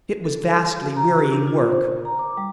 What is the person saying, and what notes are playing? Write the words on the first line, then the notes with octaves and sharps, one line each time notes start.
It was vastly wearying work.
A4
G3
F#4
A#5
G4
D4
F4
C5
A#4
A#5
D6
G3